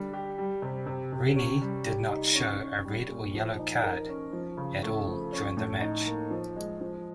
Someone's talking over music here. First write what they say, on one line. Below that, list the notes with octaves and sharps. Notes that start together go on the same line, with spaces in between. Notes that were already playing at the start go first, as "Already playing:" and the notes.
Rennie did not show a red or yellow card at all during the match.
Already playing: D3 G3
G4
G3
C3
C3
C3
C#4
G3
G4
D#4
C#4
C#4
G3
A#2
F3
D#4
A#4
C#4
F3
C#3
A3
F3
C#4
A2
D#4
A#3
F3
G#3
F3